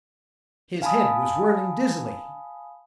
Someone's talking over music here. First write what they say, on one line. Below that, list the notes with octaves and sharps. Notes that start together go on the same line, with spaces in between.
His head was whirling dizzily.
F5 G#5 A5 B5 D#6